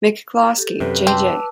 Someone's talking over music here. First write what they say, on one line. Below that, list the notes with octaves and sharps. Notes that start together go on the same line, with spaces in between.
McCloskey, J. J.
G4 A4
F#2 C3 B4
C4 A5 D6 E6